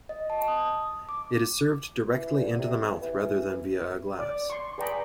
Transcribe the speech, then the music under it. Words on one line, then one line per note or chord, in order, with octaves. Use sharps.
It is served directly into the mouth rather than via a glass.
D#5
A5
D#6
D6
E3
D3
C3
E2
E3
D5
C6 C#6
G#4 B4 D5 G5 A#5 B5